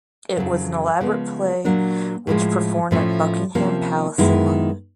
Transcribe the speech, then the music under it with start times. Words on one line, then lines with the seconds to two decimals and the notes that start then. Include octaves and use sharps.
It was an elaborate play which performed at Buckingham Palace in London.
0.37 F2 C#3 F#3
1.01 C#3 F3 G#3 B3
1.65 A#2 F#3 A#3 D4
2.27 A2 F3 G#3
2.91 A2 F3 A3 C#4
3.55 C3 F3 A#3 C#4
4.18 F#2 D#3 G#3 B3 E4